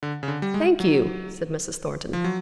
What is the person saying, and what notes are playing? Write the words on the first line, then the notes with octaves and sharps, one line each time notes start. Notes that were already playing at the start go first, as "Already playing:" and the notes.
'Thank you,' said Mrs. Thornton.
D3
C#3
D3
G3
G#3
F#3
F3
F#3